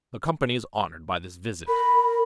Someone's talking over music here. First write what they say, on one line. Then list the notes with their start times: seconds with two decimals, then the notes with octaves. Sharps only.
"The Company is honored by this visit."
1.68 A#4 B5